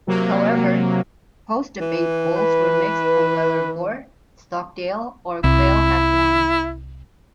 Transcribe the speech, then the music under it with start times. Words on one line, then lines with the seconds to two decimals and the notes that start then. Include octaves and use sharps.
However, post-debate polls were mixed on whether Gore, Stockdale or Quayle had won.
0.07 C3 F#3 A#3
1.81 E3
2.37 B4
5.44 C2 E4